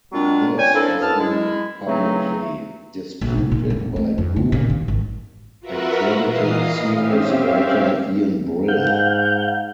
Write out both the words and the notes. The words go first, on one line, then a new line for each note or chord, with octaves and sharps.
This has been publicly disputed by Boom and credited series writer Ian Brill.
A#2 F#3 G#3 C4 D4 F4
C#4 D5 G5 G#5
A#3 C4 D4 E4 A4
F#2 B3 E4 A4 A5 F6
G#3 E4
C#3 E3 F#3 A3 C4 D#4
A#1
C3
A#2
E1
A3
F2
D3
A#2
D#3
G#1
F4 F#4 A#4 B4 E5 F#5
A#2 E3 D#5 F5 D#6 C7
C4 C#4 G4 E5 F5
G#2 F5 F#5 G6